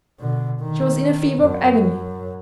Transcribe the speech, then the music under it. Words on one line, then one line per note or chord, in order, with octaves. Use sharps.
She was in a fever of agony.
B2 D3
D#3
F#2